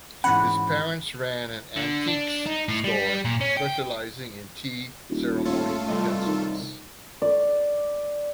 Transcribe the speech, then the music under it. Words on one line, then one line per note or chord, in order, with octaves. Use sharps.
His parents ran an antiques store specializing in tea ceremony utensils.
G#2 E3 C#4 F#5 B5
D3
D4
D#4
A2
G3
A#2
C#4
G5
D#1
A3 C#4 F4 A4
C3 G3 D#5
D#3
D5